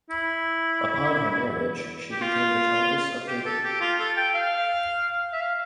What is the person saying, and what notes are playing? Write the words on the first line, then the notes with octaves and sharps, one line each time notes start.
Upon her marriage she became the Countess of Derby.
E4
G4
F4
G4
A4
G4
F4
A4
G5
F5
E5
F5